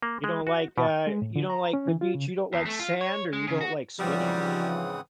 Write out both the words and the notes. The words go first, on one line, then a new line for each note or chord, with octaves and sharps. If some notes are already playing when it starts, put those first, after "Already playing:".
You don't like, uh you don't like the beach you don't like sand, or you don't like swimming?
A#3
G#3
F#4
B2
G#3
A2
D3
A#5
C#4
E3
F4
C#3
E2
A3
F4
C#5
G#3
C#3
F#4
G#2 C#3 E3 F3 G3 C4 F#5 D#6